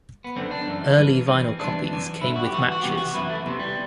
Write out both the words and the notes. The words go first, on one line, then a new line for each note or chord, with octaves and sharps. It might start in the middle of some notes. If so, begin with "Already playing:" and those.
Early vinyl copies came with matches.
B3
F#2 D3 C4
D4
F#2 E3
G2 E3
E3 C4
G2
E2 C3 E3 D4
F#2 E3
G2 D3 E4
F#4
G4
G2 E3 F#4
F#4
E2 C3 E3 G4
F#4
F#2 E3 E4
A3
E2 C3 E3
G3